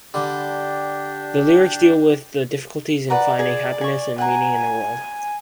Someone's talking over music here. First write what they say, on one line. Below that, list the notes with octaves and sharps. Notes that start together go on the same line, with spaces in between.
The lyrics deal with the difficulties in finding happiness and meaning in the world.
D3 G3 D4 G4
B4 D5 F#5 A#5
G#4
G#5 C#6
F#5 G#5 A#5